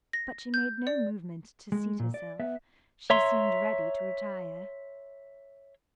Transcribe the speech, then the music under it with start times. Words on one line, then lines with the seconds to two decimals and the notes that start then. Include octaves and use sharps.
But she made no movement to seat herself; she seemed ready to retire.
0.13 A#6
0.54 G6
0.87 D5
1.72 G#3
2.00 A#2
2.14 D5
2.40 B3 E5
3.10 C#5 E5 A#5 C6